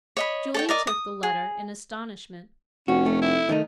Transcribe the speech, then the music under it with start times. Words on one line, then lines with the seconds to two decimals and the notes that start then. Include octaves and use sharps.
Julie took the letter in astonishment.
0.17 C#5 D#5 B5
0.54 A4 C#5 G5
0.69 A#4 D5 D#5
0.87 D#6
1.23 G#4
2.88 F1 C#4 F#4
3.06 A3
3.22 E4
3.49 D#3 A3 D#4